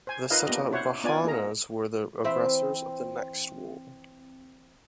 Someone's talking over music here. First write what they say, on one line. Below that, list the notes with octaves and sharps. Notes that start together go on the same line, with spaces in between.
The Satavahanas were the aggressors of the next war.
C5 G#5
D#4 F4 A#4 B4 D#5 F5
A#3 B3 D4 G4 D#5
C#4 E4 C5 C#5 F#5
B3 D4 F4 D5 G#5
A#3 D#4 G#4 A#4 A#5
E3 C4 E5